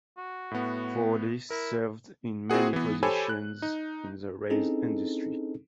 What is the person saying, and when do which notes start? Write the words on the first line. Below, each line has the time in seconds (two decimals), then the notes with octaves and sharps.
Fordyce served in many positions in the rail industry.
0.18 F#4
0.51 A2 B3
1.50 E4 A#4
2.50 C4 E4 F#4 G#4 F#5
2.73 E3 B3
3.03 G4 A4 C5 C#5 G#5 B5
3.29 F#6
3.62 D#4
4.50 C4 C#4 D#4 E4 G#4 A4